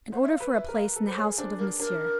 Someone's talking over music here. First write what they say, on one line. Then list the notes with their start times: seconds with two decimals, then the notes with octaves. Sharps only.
"An order for a place in the household of Monsieur."
0.12 C5 F#5
0.23 E5
0.33 F5
0.40 B4
0.54 E5
0.69 A#4
0.76 F5
0.96 A4
1.06 C5
1.17 G#4 C#5
1.38 D4 C5
1.59 A#4
1.80 D4 A#4